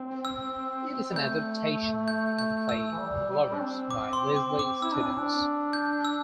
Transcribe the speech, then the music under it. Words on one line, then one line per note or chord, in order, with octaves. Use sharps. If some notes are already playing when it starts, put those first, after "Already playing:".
It is an adaptation of the play, "The Lovers", by Leslie Stevens.
Already playing: C4
E6
G3
A3 G6
G6
G6
E6
E3
G3
G3
D4
C4
D6
C6
D6
D6
E4 E6
D4
C4
D4
G6
E6